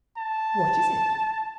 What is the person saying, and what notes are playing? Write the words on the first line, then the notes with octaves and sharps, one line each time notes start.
"What is it?"
A5